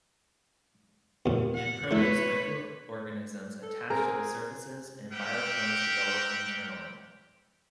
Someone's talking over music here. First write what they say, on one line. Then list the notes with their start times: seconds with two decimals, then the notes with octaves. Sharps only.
In produce, microorganisms attach to the surfaces and biofilms develop internally.
1.26 D#2 A#2
1.55 F#5
1.91 A3 E4 B4 C#5
3.63 A4
3.90 C4 G#4 A#4
5.11 G4 A#4 E5 F#5 G5